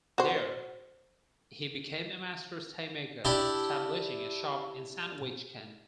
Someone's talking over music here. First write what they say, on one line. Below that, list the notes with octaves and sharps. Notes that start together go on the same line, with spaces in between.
There, he became a master stay-maker, establishing a shop in Sandwich, Kent.
F#4 C5
D4 E4 G4